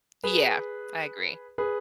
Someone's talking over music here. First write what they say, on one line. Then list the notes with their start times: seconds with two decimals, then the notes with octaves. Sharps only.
Yeah. I agree.
0.24 G#4 B4
1.58 G#4 B4